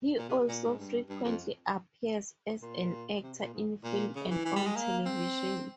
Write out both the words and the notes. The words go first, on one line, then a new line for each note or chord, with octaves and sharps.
He also frequently appears as an actor in film and on television.
A#2
C3
A#2
G#2
G2
G2
F2
A#2
C3
A#2
G#2
A#2
C#3
E3
E3
G3
G#3
A#3
C4